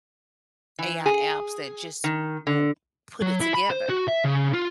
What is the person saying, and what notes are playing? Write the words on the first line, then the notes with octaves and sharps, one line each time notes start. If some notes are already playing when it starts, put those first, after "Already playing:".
AI apps that just will put it together.
E3
G#4
D#3
D3
F#3
E4
B5
C5
F#4
E5
C#3
F4